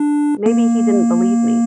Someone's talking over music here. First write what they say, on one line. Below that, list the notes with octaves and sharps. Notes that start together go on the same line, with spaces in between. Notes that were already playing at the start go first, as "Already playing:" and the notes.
Maybe he didn't believe me.
Already playing: D4
A#3